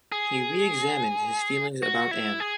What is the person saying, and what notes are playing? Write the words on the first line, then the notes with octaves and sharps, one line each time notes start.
He re-examines his feelings about Anne.
G#4
F#4
E4
G#4